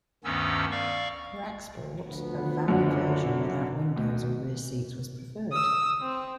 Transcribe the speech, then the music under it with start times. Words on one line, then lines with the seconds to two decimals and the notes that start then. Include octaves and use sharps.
For export, a van version without windows or rear seats was preferred.
0.24 D2 G2 D#3 B3 C#4 E6
0.71 D5 F5 C#6
2.06 D2 F3 B3
2.68 F#2 D3 F#5
3.96 D2
5.52 D#6 E6
6.02 C4